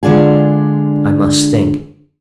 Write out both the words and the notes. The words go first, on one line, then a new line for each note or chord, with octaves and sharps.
I must think.
D3 G#3 D4 F4 G#4